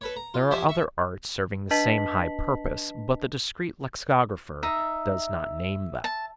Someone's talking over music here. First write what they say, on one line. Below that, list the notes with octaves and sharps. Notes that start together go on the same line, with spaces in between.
There are other arts serving the same high purpose, but the discreet lexicographer does not name them.
A4 B4 C#5
A#5
F4
F3 G4 C5 E5 G#5
E5 C#6
D4 B4 D#5 A5 B6 F#7
D#4 E5
A5